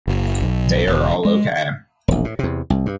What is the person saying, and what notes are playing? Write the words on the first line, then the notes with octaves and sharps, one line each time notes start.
They are all OK.
F#1
B1
E1
G#3
E1 A#1
A2
E2 C3
C2
G2